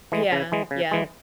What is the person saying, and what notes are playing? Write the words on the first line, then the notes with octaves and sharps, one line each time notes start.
Yeah, yeah.
E3 G#3
C#3
E3 G#3
C#3
E3 G#3